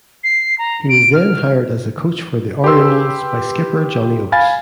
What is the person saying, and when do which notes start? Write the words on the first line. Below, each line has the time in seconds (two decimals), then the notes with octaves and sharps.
He was then hired as a coach for the Orioles by skipper Johnny Oates.
0.24 C7
0.58 A#5
0.89 D7
1.14 F6
2.64 G4 B4 C6 E6
4.32 F5 G#5 B5 A6